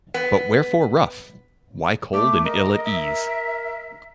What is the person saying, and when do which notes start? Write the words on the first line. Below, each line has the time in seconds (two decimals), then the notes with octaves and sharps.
But wherefore rough, why cold and ill at ease?
0.14 B3
2.13 A3 D6
2.45 A#4 D#5
2.84 E5